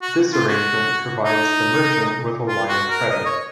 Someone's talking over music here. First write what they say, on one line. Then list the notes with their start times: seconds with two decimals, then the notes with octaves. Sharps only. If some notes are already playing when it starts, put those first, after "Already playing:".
This arrangement provides the merchant with a line of credit.
0.02 F#4
0.33 F4
0.48 F#4
1.25 D#4
2.49 F4
2.69 F#4
2.90 A#4
3.10 D#5
3.25 C#5